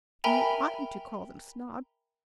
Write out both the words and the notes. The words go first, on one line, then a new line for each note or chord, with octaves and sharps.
And you oughtn't to call them snobs.
A#4 E5 G5 G#5 A#5 B5